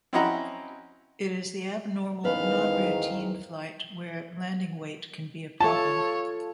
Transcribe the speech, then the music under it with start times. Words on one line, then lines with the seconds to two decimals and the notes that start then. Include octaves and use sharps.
It is the abnormal, non-routine flight where landing weight can be a problem.
0.13 C4 C#4 E4 D#5 F#5 A#5
2.24 E2 G#2 D#3 B3 C#4 B4 F5
5.60 F4 A4 C#5 A5